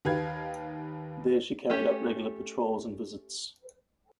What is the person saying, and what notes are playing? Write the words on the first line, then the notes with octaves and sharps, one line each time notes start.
There she carried out regular patrols and visits.
D#2 D#4 G4 B4 F5 G#6
A3 C#4 G4